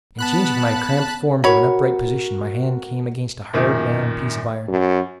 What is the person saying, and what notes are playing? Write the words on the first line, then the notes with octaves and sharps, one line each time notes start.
In changing my cramped form to an upright position, my hand came against a hard, round piece of iron.
B3 A5 B5 F#6
F#4 A#4 C#5 B5
F#2 A#2 D#3
F#2